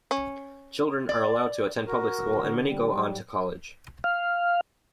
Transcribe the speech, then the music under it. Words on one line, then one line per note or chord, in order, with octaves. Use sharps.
Children are allowed to attend public school and many go on to college.
C#4
D5
F#4 A#4
D1 A#1
D3 C4
G3
G#2 F#3
F5